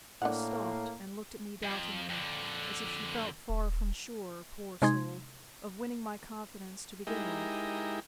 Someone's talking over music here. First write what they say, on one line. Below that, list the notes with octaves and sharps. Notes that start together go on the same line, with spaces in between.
She stopped, and looked at me doubtingly, as if she felt far from sure, poor soul, of winning my confidence to begin with.
A2 A#3 D4 C#5 F#5
F2
F2 D3
D#1
C3 G#3 D#4 C6 G#6
G#3 D#4 E4 G4 A#4